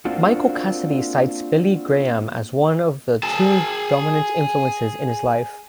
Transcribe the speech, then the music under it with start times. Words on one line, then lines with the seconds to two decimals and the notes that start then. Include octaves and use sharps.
Michael Cassidy cites Billy Graham as one of two dominant influences in his life.
0.05 A#3 C4 D4 F4 F#4
3.23 G#4 A5